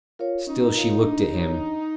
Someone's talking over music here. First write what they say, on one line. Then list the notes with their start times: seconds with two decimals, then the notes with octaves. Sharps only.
Still she looked at him.
0.19 F4 A#4 C#5 F5
0.47 C#4 D#4
0.74 F4 A#4 C#5 F5
1.02 D4
1.30 G4 A#4 C#5
1.56 D4